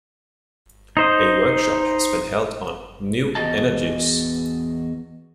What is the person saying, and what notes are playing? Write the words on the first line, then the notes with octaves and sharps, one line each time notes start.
A workshop has been held on "New Energies".
D#4 C5 D#5
E2 A#2 F#4 G#4 D#5 A5